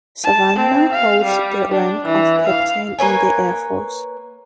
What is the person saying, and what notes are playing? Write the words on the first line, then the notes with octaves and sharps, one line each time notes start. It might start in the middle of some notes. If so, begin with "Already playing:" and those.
Savannah holds the rank of captain in the Air Force.
A5
C4
F5
G3
D4
E3
F5
A#3 B4 C#5 G#5